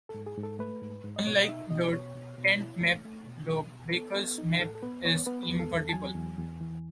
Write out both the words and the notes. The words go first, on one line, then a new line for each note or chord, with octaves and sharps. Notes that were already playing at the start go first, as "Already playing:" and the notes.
Unlike the tent map, the baker's map is invertible.
A4
G#2
G#4
G#2
A4
A3 B4
G#2
G#2
D#5
B2 C#5
D#5
D#4 E5
B2 D#5
B4
B2 C#5
B2
B2
E4
A3
A3
B2
B2
B2
B4
B3 A4
B3
D#4
A2 A4
A4
B3 B4
B3 C#5
B3 B4
B4
E2
A4
E2 A4
A5
F#3 G#5
E2
E2
E3